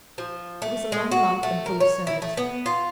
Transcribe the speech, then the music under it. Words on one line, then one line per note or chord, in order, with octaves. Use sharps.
It was a long life and full of service.
F3
A3
G#3
F#4
A3
A#4
C#5
E4
A3
B3
F4